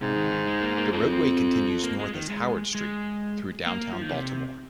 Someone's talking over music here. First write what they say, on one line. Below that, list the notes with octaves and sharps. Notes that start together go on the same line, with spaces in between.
The roadway continues north as Howard Street through downtown Baltimore.
G#2 C3
D#3
D#3
G#3
A#3
A#3
F2 C4
A#3
G#3
D#3
G#3
G#3
A#3
F3
D#3
C3